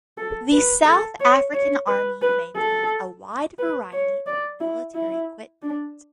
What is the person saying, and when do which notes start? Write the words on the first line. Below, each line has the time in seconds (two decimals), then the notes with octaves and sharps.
The South African Army maintains a wide variety of military equipment.
0.18 A4
0.52 B4
0.85 A4
1.20 C#5
1.54 C#5
1.87 B4
2.22 B4
2.57 A4
3.58 B4
3.92 C#5
4.27 D5
4.60 E4
4.95 E4
5.63 D4